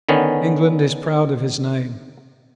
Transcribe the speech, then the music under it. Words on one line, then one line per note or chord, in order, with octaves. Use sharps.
England is proud of his name.
D3 D#3 B3 C#4